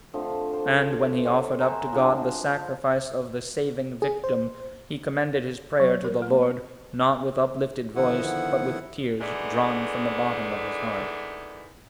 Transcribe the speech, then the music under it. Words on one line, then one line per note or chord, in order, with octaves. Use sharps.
And when he offered up to God the Sacrifice of the saving Victim, he commended his prayer to the Lord, not with uplifted voice, but with tears drawn from the bottom of his heart.
D3 F3 A3 C4
C5 D5
C4 G4 C5 C#5
C5 F#5 G#5 A#5
F3 G#3 D4
G#4
C5
F#3
A#4
A#3
D3 D#3 F3 B3 E4 F#5
D#3 E3 G#3 A3 B3 D4